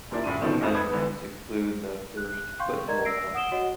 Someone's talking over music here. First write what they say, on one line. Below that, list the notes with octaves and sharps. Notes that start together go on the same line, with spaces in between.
Some measurements exclude the first foot-rollout.
D#1 A#2 A#3 D4 E4
D2 A2 D4 D#7
B2 D#3 F3 A3
G#1 F2 A3 D#5
A4 B4 A5 B5 D#6 G#6
D3 E3 B3
F#6
F5 G5 C6 C#6 G6
A#4 D5 D#5 A#5 G#6
E6 A#6 C7 D7
F#5 D#6 D7 E7 G7
F#4 C#5 D#5 F#5